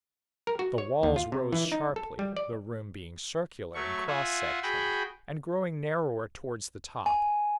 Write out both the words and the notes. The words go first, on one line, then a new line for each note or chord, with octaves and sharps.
The walls rose sharply, the room being circular in cross section and growing narrower towards the top.
A#4
F#4
C#5
D#2
F4
C3
E3
D#4
A4
G3
D5
F#3 A3 C#6
F4 E5 F#5 G#5
F#4 G#4 G5 B5
G#5